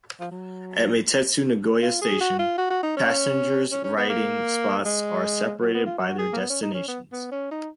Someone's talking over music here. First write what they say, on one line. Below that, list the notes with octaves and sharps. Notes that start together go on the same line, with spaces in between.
At Meitetsu Nagoya Station, passengers' riding spots are separated by their destinations.
F3
F#3
F4
G#4
F#4
F4
F#4
F#4
D#4
C#4
C#4
C#4
B3
A#3
G#3
F#3
B3
F4
F#4
G#4
A#3
B3
C#4
D#4
C#4
B3
B3
C#4
D#4